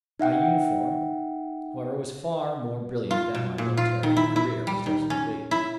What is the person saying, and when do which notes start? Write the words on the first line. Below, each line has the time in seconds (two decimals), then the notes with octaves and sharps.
My uniform, however, was far more brilliant than my military career was destined to be.
0.20 D#4 E5 F#5 G5
3.11 F4
3.35 B2
3.58 A#2
3.77 F4
4.03 D#3
4.17 E4
4.36 E4
4.67 G3
4.86 D#3
5.10 C#4
5.51 E4